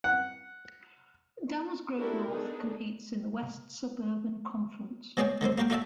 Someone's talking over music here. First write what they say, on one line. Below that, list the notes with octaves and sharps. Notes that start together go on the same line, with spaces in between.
Downers Grove North competes in the West Suburban Conference.
F#5
D4 E4 F#4 G4 A4 A#4
B3 D4 D#4 G#4 A4
B2 G#3 C#4 G#4 D5 G5
D3 D#3 G3 C4
A#3 F#4 G4 A#4 G5
A3 F4 F#4 D5 E5 A5